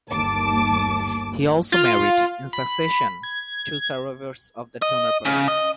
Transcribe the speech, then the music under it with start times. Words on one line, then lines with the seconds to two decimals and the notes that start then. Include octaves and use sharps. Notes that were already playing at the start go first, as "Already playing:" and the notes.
He also married, in succession, two survivors of the Donner Party.
0.10 G1 D#2 A5 D6
1.72 F4
2.53 B5
3.23 G#6
4.82 D#5
5.25 C#3
5.48 D#5